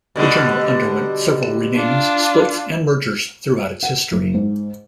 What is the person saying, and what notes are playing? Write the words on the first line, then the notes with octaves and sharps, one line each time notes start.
The journal underwent several renamings, splits, and mergers throughout its history.
B2 D3 G3
D4 F4
F#5
F#1
G#2